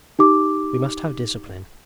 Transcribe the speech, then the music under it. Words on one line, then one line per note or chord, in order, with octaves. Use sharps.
We must have discipline.
D#4 G4 D6